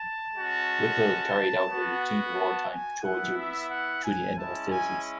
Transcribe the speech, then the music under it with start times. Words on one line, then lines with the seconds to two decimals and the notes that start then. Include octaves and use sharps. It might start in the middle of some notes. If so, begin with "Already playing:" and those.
"Whipple" carried out her routine wartime patrol duties through the end of hostilities.
Already playing: A5
0.32 G#3 C#4 F#4
1.67 B3 F#4
2.34 A5
2.69 G#5
3.02 B3 E4 F#5
3.36 E5
3.68 F#5
4.02 G#5
4.36 G#3 C#4 E4 A5
4.70 G#5